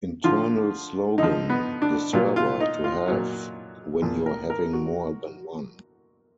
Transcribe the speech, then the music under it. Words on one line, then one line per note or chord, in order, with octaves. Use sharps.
Internal Slogan: The server to have when you're having more than one.
D3 F3 F4
D3 D#4
F3
B3
D4
A#2 F#3 F4
F4
D#4
F4
A#2 F#3
A#2 F3
A#4
A#4
F#4